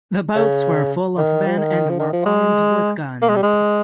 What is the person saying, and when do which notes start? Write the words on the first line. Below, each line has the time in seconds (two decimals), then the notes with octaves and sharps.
The boats were full of men and were armed with guns.
0.35 C#3
1.17 D#3
1.47 F3
1.58 D#3
1.90 F3
1.99 D#3
2.12 F3
2.26 G#3
3.22 A#3
3.29 G#3
3.36 G3
3.43 G#3